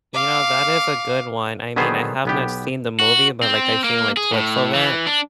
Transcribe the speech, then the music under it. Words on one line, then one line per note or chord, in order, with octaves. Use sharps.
You know that is a good one. I mean, I have not seen the movie, but like I've seen like clips of it.
F5 D6
D3 D#3 F#3 B3 G#4 C5
B1 B3 G4
F#4
C4
A#3
G#4
A2
E3
D4